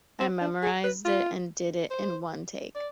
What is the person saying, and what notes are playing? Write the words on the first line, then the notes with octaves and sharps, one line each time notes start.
I memorized it and did it in one take.
C4
D4
G#4
B4
F4
C5
D5